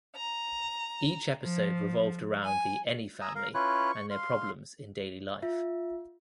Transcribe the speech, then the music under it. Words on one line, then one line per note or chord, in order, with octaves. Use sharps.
Each episode revolved around the Anyfamily and their problems in daily life.
A#5
F3
G#5
G#5 A#5 D#6 E6
A#4 F5
C#4 E4 F4 B4 C#5 F#6
C#6
F5 C6
F4 E5